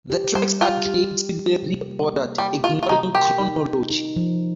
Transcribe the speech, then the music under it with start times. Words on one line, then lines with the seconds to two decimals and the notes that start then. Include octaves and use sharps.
The tracks are creatively re-ordered, ignoring chronology.
0.10 G4
0.35 G3 C5
0.61 F4 G4
0.86 G4
1.11 G4
1.37 G4
1.62 C3
1.88 A#3
2.14 A#3
2.38 G3 G4
2.63 F4 G4
2.83 F4
2.89 C3 D#4
3.15 G4 A#4
3.40 D#4
3.66 D#4
3.90 D#4
4.16 F3